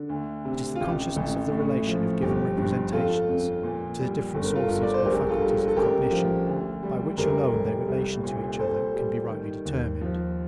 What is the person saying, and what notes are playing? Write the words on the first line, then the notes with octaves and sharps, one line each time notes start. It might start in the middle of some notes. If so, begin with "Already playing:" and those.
It is the consciousness of the relation of given representations to the different sources or faculties of cognition, by which alone their relation to each other can be rightly determined.
Already playing: D3
D2
C3
F4
A1 G4
A1
A2
F3
G1 G4
G2
F2 F4 A4
F2
A#2
G3
G1 A4
A#4
F4 A4
G1
D5
C5
A#1 G4 A#4
F4 A4
G3
A4
A1 G4 A#4
F3
D2
G3
F1 G4 A#4
F1
C2
A#2
G3 A4 C5
G3
D#3
D#2
F3